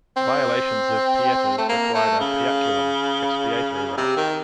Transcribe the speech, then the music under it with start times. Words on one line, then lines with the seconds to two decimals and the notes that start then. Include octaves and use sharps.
Violations of "pietas" required a "piaculum", expiatory rites.
0.17 C4
1.58 A3
1.69 A#3
1.94 A3
2.20 C#3
3.97 C3
4.17 D#3